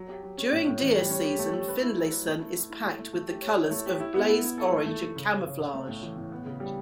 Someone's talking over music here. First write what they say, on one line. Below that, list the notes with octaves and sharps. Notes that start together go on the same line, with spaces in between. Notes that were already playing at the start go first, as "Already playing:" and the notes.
During deer season, Finlayson is packed with the colors of blaze orange and camouflage.
Already playing: F#3
G4
F#3
C#4
A2
A2
E3
G3
C#4
G4
A3
A3
B4
E4
F#3
B4
A3
E4
E4
E4
A3
A3
A3
G4
C#5
E4
A3
G4
E4
B3
E4
E4
A4
A3
A3
A3
C#3
C#4
C#3
C#3
A3
A2
E3
A2
B3
C#3
G3